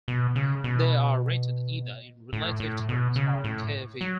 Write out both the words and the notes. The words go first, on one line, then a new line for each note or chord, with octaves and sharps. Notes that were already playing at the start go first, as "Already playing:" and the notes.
They are rated either in relative turns or Kv.
B2
C#3
B2
A2
A2
B2
C#3
A2
F#3